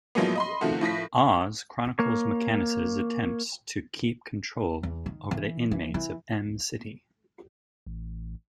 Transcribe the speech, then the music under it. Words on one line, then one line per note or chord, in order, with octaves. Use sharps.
"Oz" chronicles McManus' attempts to keep control over the inmates of Em City.
A2 F3 F#3 G#3 A#3 B3
D#5 B5 C6
C3 D#3 F3 A3 F#4
A2 F3 A#6 B6
A#3 C#5
E2
D#3
E3
E3
E3
A1